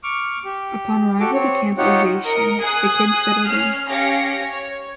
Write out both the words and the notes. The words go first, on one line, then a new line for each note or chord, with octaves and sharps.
Upon arrival to Camp Ovation, the kids settle in.
C#6 D6 F6
G4
F#4 G4 A4 D6
C4 C#5
D#4 F4 G4 C#5 F#5
A#4 D#5 C#7
G#4 D#6 F#6
C#4 F6 C7
C#4 G4 F5 A#6 C#7
C#5